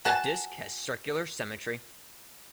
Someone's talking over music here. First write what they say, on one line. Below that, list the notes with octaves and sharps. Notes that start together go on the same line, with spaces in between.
The disk has circular symmetry.
F#4 G#5 A5